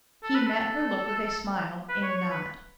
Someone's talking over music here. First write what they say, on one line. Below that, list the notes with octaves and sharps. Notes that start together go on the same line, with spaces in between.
He met her look with a smile and nod.
A4
B4
A4
B4
C#5
C#5
B4